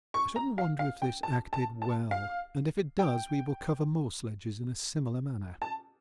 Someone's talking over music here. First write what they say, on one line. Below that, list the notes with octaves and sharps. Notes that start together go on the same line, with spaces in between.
I shouldn't wonder if this acted well, and if it does we will cover more sledges in a similar manner.
C#6
A#5
F5
F5
G5
A5
A5
A5
F5
G5
A5